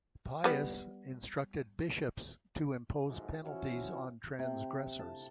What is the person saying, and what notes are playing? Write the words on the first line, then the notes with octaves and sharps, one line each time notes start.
Pius instructed bishops to impose penalties on transgressors.
G3 B3
G1 F2 G#2 C3 F#3
E3 F3 C#4 E4 F#4
C3
A5